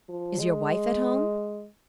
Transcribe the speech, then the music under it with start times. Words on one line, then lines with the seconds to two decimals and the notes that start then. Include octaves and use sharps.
"Is your wife at home!"
0.09 F3
0.40 G#3